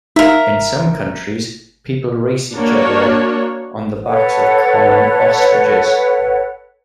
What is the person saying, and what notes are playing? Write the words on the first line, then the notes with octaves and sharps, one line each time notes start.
In some countries, people race each other on the backs of common ostriches.
D#4 A#4 E5 F5
A#3 D4 F#4 C#5
A4 B4 C#5 F#5